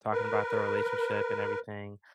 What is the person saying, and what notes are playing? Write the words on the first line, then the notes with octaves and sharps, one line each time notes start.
talking about their relationship and everything,
A#4 B4